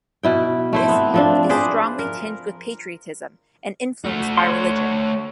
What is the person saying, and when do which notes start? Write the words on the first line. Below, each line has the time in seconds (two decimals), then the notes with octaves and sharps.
This hymn is strongly tinged with patriotism and influenced by religion.
0.23 B2 E4 G5
0.73 A3 E4 C5
0.89 B3 C4
1.14 F3 C4 D4
1.49 G#4 B4 C5 D5
1.99 A#4
4.05 A3 F#4
4.37 C#5 F#5 C6